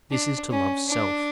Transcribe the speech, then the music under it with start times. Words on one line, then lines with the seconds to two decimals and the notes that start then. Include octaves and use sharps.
This is to love self.
0.12 D4
0.51 C#4
0.89 D4